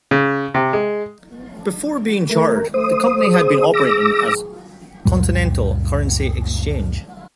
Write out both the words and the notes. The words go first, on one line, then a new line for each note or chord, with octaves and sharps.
Before being chartered, the company had been operating as Continental Currency Exchange.
C#3
C3
G#3
A3 A#4
A3 C5 D#6
G#4
D6 E6 A#6
C#2 F#2 A#2 G3